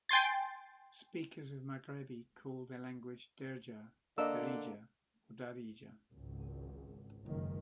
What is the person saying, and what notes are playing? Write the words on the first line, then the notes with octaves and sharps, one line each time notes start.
Speakers of Maghrebi call their language Derja, Derija or Darija.
G5 G#5 C6 A6
D3 A#3 D4 D#5 E6
G#1 C#2
F#1 C#2 D#3